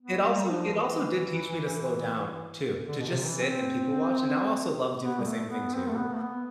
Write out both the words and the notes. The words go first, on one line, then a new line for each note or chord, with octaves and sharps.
it also it also did teach me to slow down too, to just sit and people watch, and now I also love doing the same thing too,
B3
G3
F3
E3
D3
B2
C3
E3
C4
B3
G3
A3
B3
C4
A3
B3
A3
B3